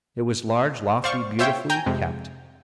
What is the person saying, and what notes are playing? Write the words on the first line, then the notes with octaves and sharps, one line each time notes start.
It was large, lofty, beautifully kept.
C5 D5 F5 C#6
F4 C5 C#5 E5 G5
G5 G#5 A#5 G6
F2 C3 G#3